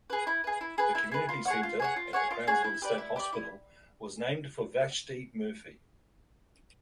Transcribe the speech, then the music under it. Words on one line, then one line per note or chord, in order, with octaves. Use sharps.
The community center at the Crownsville State Hospital was named for Vashti Murphy.
G#4 B4
E4
G#4 B4
E4
G#4 B4
E4
G#4 B4
F4
G#4 C#5 F#5
F4
G#4 C#5 F#5
F4
G#4 C#5 F#5
F4
G#4 C#5 F#5
E4
G4 B4 D5
E4
G4 B4 D5
E4